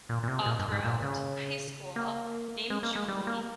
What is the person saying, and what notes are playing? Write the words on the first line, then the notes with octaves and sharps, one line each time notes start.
all throughout high school named Julie,
A#2
A#2
C3
A#2
G2
G#2
A#2
C#3
A#3
G#3
A#3
G#3
G3
A#3